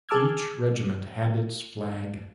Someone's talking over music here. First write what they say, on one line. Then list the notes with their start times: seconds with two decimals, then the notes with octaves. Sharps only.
Each regiment had its flag.
0.09 G#4 A5 D6 E6 F6 G#6